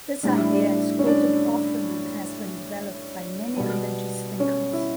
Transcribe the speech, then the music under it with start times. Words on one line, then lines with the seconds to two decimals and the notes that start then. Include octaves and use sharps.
This idea is quoted often and has been developed by many religious thinkers.
0.23 A2 G3 D4
0.38 E4
0.51 D4
0.99 C#4
1.07 D4
3.57 B2 G3 B3
4.40 C#4
4.73 E4